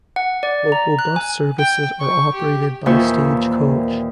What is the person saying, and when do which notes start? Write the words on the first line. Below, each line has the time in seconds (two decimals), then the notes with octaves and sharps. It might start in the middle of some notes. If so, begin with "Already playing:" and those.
Local bus services are operated by Stagecoach.
0.16 F#5
0.43 D5
0.72 A#5
0.99 F#6
1.16 G#5
1.58 G5
2.00 C#6
2.34 G4
2.86 D#2 A#2 E3 C5 C#6 E6